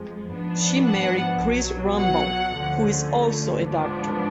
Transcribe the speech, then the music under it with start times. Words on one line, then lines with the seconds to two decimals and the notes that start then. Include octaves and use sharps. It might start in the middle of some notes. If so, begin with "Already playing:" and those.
She married Chris Rumball, who is also a doctor.
Already playing: F2 F3 G#3
0.32 G#2 F3 B3 D4
0.87 F#5
1.43 B1 B2 F#3
2.00 F#5
2.55 D2 D3 F3 A3 C#4
3.67 G#2 F3 B3 D4